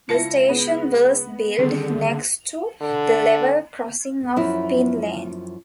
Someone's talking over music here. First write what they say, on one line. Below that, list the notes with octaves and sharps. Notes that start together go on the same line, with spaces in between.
The station was built next to the level crossing of Pinn Lane.
C#2 E4 F4 A5 A#6 C#7
B3 G#4
D3 D#3 G3 C4 G#4
D3
F#2 F3 E4